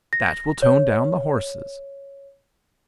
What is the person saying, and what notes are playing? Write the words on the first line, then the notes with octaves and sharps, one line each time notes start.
That will tone down the horses.
A#6
C#5